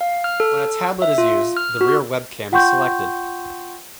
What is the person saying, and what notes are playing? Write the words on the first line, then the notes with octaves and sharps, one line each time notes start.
When a tablet is used the rear webcam is selected.
F5
F6
A4
E5
F4
F6
F#4
F4 F#5 G5 C6 C#6 G6